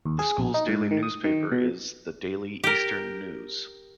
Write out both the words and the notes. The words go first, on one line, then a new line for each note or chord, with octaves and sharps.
The school's daily newspaper is The Daily Eastern News.
D#2
G#4
A#1
D#4
G#2
D#3
D#6
D#3
B2
G4 A#4